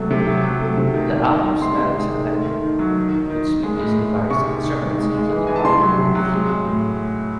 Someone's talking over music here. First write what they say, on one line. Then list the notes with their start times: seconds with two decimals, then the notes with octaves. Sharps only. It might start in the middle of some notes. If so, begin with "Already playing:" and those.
The album's style is eclectic, with Smith using various instruments including violin and flute.
Already playing: C3 F#3 A3
0.11 C3
0.27 F#3
0.44 F#3
0.61 A3
0.77 C3
0.94 D#3
1.12 D#3
1.28 D#3
1.46 D#3
1.61 C3 C6
1.78 C3
1.95 G#3
2.12 D#3
2.29 A3
2.45 D#3
2.63 D#3
2.79 F#3
2.96 D#3
3.13 D#3
3.30 D#3
3.47 D#3
3.63 G#3
3.80 A2
3.97 A2
4.14 G#3
4.31 C3 C#6
4.47 D#3
4.64 D#3
4.81 D#3
4.98 G#3
5.14 G#3
5.31 E3
5.47 E3 G#5
5.56 A5
5.64 C3 C6
5.81 F#3
5.98 C3
6.15 F#3
6.32 G#3
6.49 G#3
6.65 A2